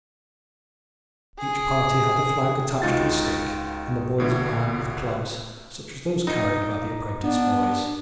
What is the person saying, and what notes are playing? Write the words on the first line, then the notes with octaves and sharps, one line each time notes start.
Each party had a flag attached to a stick, and the boys were armed with clubs such as those carried by the apprentice boys.
G#4
C#2 D#4 F4 F#4 A6
A#1 A2 D3
D#4
B3 D4